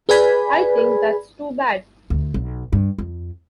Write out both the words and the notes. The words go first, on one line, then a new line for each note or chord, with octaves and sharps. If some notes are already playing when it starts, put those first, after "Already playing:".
I think that's too bad.
G#4 B4 D5 G#5 B5
D2
B1
G2
F2